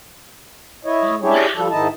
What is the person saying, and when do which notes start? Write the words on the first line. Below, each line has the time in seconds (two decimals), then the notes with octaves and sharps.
Oh, wow.
0.85 E4 C#5 D#5
1.22 C#4 D4 E4 G4 G#4 C#5
1.54 F3 G3 A4
1.71 G#2 D#3 D#4 E4 D#5 A5